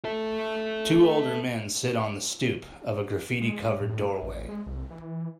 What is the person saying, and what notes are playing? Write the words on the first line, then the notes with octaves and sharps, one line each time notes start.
Two older men sit on the stoop of a graffiti covered doorway.
A4 E5
G#3
A2
G2
A1
G#3
C2
E3